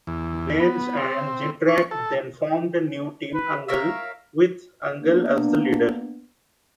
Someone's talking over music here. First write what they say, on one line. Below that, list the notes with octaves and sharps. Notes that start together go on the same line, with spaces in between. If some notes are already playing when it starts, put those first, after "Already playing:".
Reigns and Jindrak then formed a new Team Angle with Angle as the leader.
E2
B3
C4
C#6
A4
B4
A#4 C#5 E5 F5
A#3 B3 D4